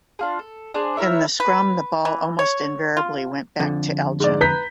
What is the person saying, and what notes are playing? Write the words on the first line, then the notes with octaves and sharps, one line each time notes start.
In the scrum the ball almost invariably went back to Elgin.
D4 F4 G#4
A4
D4 G#4 C5
E4 A#4 C#5 E5
B4
E3
C#5
F4
F2 D3
G#2 D5
B4 A#5 G6 B6